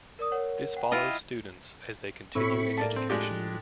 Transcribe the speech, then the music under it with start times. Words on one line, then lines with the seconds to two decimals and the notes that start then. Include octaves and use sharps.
This follows students as they continue in education.
0.19 A#4 D5 D#6
0.32 A#4 C#5 F#5
0.77 F#5 G5
0.92 E4 F4 D#5
2.35 A2 C4 E4 B5 C#6
2.78 A#3 D5 A5
2.96 C4
3.10 G#3 D4 F4 G4 G5 A5 F#6
3.31 F3